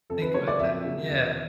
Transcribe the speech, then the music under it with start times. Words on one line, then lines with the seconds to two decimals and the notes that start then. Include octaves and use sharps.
think about that, yeah.
0.10 F2 A4
0.22 B4
0.34 C#3 F#3 A#3 C#5
0.48 D5
0.59 F2 E5
0.85 C#3 F#3 A#3
1.10 E2